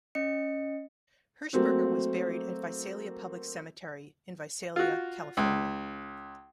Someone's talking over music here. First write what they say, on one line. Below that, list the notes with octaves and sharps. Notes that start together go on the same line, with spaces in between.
Hershberger was buried at Visalia Public Cemetery in Visalia, California.
C#4 D#5 C#7
F#3 A3 A#3 C4 F#4
F4 F#4
C#2